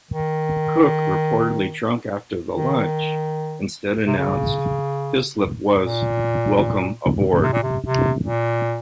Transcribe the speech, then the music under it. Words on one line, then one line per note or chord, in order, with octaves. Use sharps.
Cook, reportedly drunk after the lunch, instead announced Hislop was "welcome aboard".
D#3
D#3
C3
C#3
A#2
C3
A#2
C3
C3
A#2